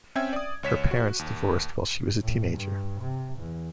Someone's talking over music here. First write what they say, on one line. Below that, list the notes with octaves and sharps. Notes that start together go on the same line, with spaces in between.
Her parents divorced while she was a teenager.
C4 C#4 E5 G5 E6 G#6
D5 D#6
C#2 C#5 B6 E7
F#4
D#2
A2
G2
C3
E2